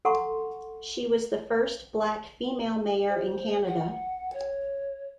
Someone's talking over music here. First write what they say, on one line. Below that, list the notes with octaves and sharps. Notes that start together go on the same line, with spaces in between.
She was the first black female mayor in Canada.
A4 F#5 A#5 C6 C#6
C5
F#5
C#5